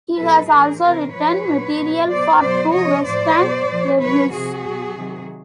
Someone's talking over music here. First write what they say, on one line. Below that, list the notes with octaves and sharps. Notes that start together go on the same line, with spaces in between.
He has also written material for two West End revues.
B2 F#3 A4 B4
A2 E3 G#4 A#4
C3 E3 A#4 C5
A#2 F3 B4 C#5
A#2 F#3
B2 F#3
B2 F#3 C5 D5
B2 F#3 C5 D5
C3 F3 C#5 D#5
A2 F3 C5 D5
B2 F#3
A#2 F3
C3 D#3 F#3 B4 C#5
C3 F3 F#4 G#4
B2 F#3
C3 D#3 F#3